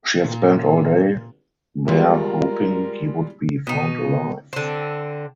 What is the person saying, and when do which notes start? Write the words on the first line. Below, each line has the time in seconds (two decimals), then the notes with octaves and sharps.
She had spent all day there hoping he would be found alive.
0.21 A#2
1.88 G3 G#3 F4 A#4
3.67 B2 D#4
4.53 D3 C4